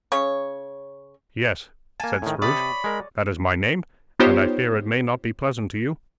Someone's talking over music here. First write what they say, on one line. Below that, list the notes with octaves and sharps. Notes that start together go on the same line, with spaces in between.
'Yes,' said Scrooge. 'That is my name, and I fear it may not be pleasant to you.
C#3 C#5
A#3 G#5 A5
A2 D#3
C3 C#5 D5 B5 D#6
G#3 A#4
B3 D#4 F4 G4 C5 C#5